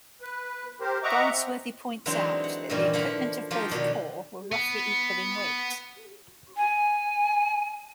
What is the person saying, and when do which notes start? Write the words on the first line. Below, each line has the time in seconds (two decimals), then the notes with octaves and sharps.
Goldsworthy points out that the equipment of both corps were roughly equal in weight.
0.21 B4
0.80 G4 A#4 C5
1.03 D#5 E5 F#5 A#5 C#6 D6
1.31 C4
2.06 D3 E3 F#3 G#3 C4 D#4
2.44 F#5
2.70 G2 A#2 D#3 E3 G3 C#4
2.93 D3 F3 F5 F#5 B5
3.51 F3 F#3 D#4 F4 G4
3.71 B2 D3 D#3 D4 B4
4.52 B3
6.57 G#5